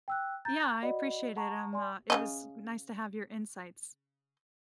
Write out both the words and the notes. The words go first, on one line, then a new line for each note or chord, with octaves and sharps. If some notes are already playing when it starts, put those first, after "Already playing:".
Yeah, I appreciate it. Um, uh, it was nice to have your insights.
G5 E6 F#6
A#5 G6 A6
F#4 D5 D#5 F#5 B5
F#5 A5 A#5 C#6
D5 G#5 C6
C#3 C#4 D#5